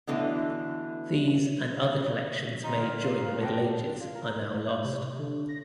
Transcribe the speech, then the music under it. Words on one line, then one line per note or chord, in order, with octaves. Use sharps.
These and other collections made during the Middle Ages are now lost.
B2 D3 E3 A3
C3 G3 D#4 F4
D3 A#4
C3 F4
F2
F#4 G4 D#5 G5 A5
F4
A#4
A2
G6
C3
D3
A#6